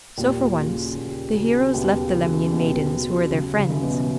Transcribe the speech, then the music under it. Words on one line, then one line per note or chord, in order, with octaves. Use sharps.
So, for once, the heroes left the Lemnian maidens who were their friends.
D#2 A#2
C#3 F#3
D#2
C#3 F#3
D#2 B2
C#3 F#3
D#2 B2
C#3 F#3
F#1 C#3
C#3
F#2 E3
B2